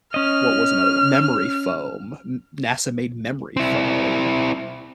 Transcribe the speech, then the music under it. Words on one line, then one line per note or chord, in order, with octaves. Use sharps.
what was another one? Memory foam, m NASA made memory foam.
C#4 D#5 F6
C4 E4